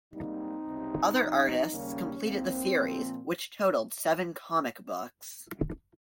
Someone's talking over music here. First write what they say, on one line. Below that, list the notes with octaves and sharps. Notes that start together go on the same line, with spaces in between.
Other artists completed the series, which totaled seven comic books.
G#2 G3 A#3 C4 D#4
C#2 C3 G3
C#2 C3 F3
D#2 C#3 G3 A#3 C#4
C2 C3 D#3 A#3 C4
A#2 F3 A#3